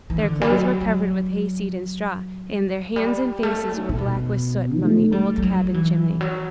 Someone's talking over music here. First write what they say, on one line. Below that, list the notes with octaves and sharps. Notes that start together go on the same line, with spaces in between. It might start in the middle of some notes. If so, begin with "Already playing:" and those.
Their clothes were covered with hayseed and straw, and their hands and faces were black with soot from the old cabin chimney.
E3
D3
G3
F#3
F#3
G3
A3
A2
B2
A3
G3
G3
F#3
E3
F#3